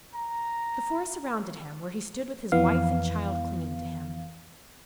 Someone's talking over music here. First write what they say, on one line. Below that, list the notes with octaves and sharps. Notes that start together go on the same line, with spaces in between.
The four surrounded him, where he stood with his wife and child clinging to him.
A#5
F2 E3 B3 F5